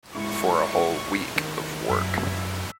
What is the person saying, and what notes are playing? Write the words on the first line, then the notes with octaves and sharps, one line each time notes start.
For a whole week of work.
G#2 E4 C#6
D#3
F#2 E4 E6 B6